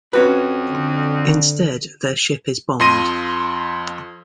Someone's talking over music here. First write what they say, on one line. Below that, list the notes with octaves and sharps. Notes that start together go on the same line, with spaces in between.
Instead, their ship is bombed.
F2 C#4 F#4 B4
D3
F2 F3 C6 A#6 D#7